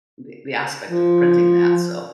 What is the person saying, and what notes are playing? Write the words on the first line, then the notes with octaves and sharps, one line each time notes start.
we we aspect of printing that, so
F3